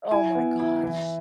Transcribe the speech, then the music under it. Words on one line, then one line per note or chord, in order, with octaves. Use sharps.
Oh my gosh.
E4 G#5
B3
E4
E3